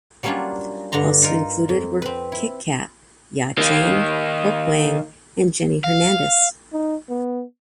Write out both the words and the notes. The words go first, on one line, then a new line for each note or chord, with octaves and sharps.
Also included were Kitkat, Ya Chang, Pokwang and Jenny Hernandez.
F#3 G3 A#3 C#4 D4 F4
G2 D3 D4 A#5 C6
D#4 F4 A#4
F2
C4 B4
E4
D#3 A#3
F5
D#4
B3